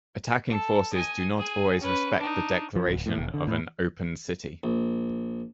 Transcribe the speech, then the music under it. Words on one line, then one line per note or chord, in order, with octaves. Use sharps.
Attacking forces do not always respect the declaration of an "open city".
A4
D#5 G#5
G#4 G#5
C#4 B4
D4 D#4
F3
D1
A2
E1
D3
A2
A#1